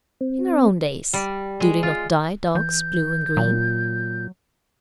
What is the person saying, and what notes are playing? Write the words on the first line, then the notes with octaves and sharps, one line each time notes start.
In our own days do they not dye dogs blue and green?
C4
G3
G#3
F4
E3 G6
A#2 F#3